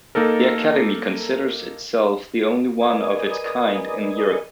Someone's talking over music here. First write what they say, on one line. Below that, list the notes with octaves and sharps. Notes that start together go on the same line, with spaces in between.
The academy considers itself the only one of its kind in Europe.
A#3 D#4 A4 A#4
A#4 B4 D5 D#5 G#5 D#6